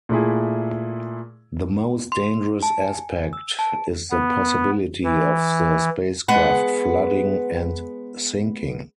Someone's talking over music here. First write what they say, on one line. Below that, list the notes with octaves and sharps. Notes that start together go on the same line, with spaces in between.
The most dangerous aspect is the possibility of the spacecraft flooding and sinking.
A#2 A3 E4 G#4
C6
A5
G#5
E6
A5
B3
E3
G#3 B3 B4 F#5